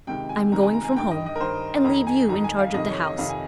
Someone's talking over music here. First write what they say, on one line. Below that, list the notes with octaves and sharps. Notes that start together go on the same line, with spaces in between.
I am going from home, and leave you in charge of the house.
C#2 C3 D#3 G5
G#5
C#2 C3 D#3 A#5
G#5
A#5
G#5
G2 D#3 G5
D#5
D#5
A#4
G2 D#3 C5
F2 D#3 A#5
G#5
F2 D#3 A#5
G#5
F5
F2 C3 D#3 D#5
C#5
D#5
F2 C3 D#3 F5
G#5